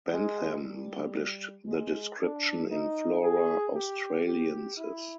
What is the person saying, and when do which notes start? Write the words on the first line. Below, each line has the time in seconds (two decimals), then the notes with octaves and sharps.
Bentham published the description in "Flora Australiensis".
0.11 G#3
0.63 G3
1.67 G#3
2.19 D4
2.71 D#4
3.22 G#4
3.74 G4
4.26 G4
4.77 E4